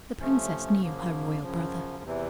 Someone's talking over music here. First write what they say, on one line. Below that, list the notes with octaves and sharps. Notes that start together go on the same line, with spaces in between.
The princess knew her royal brother.
C3 F3 A3 C#4
F#2 C#3 F3 A#3
F#2 C#3 F3
E2 C3 E3